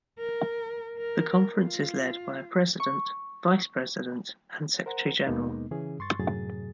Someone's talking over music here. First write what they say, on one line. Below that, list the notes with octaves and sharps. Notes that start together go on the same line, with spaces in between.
The conference is led by a president, vice president, and secretary-general.
A#4
A#4
F4
C#6
A#4 C5 F#5 A#5
D#2 B2 G#3 A#3 B3 D#4
C#3 E3 C#4 G#4
G2 C6 C#6 A6
F#2 A2 C3 F#3 G#4 A6